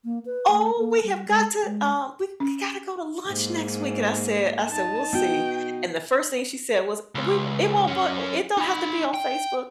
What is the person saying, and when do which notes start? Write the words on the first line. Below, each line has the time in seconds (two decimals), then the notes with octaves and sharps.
"Oh, we have got to, um, we g gotta go to lunch next week." And I said I said, "We'll see." And the first thing she said was, "We won't it won't, but it don't have to be on Facebook."
0.05 A#3
0.25 B4
0.51 A3
0.78 A#3
1.03 G3
1.27 G#3
1.54 G#4
1.65 G#3
2.40 C#4
3.27 G#2 A#3
4.72 D#4 A5
5.13 B3 F#4 G5
7.15 C#2
7.87 F#2 C#4
8.57 D#4 B5
9.14 G5